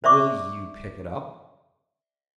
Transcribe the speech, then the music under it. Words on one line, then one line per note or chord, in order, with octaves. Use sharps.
'Will you pick it up?'
C5 D5 E5 C#6 D6